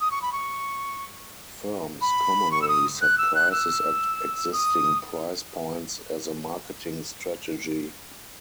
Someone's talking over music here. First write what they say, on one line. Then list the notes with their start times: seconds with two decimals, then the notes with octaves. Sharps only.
Firms commonly set prices at existing price-points as a marketing strategy.
0.01 D#6
0.11 C#6
0.22 B5
0.32 C#6
2.01 B5
2.52 C#6
2.62 E6
2.68 D#6
3.02 F#6
3.18 E6
3.35 F#6
3.52 E6
4.53 D#6